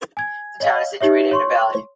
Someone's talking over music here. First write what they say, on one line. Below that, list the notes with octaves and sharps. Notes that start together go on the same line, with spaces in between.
The town is situated in a valley.
G#5 G#6
C#5 D#5 F5
D#4 G4 C#5 E5
C#5 C6 C#6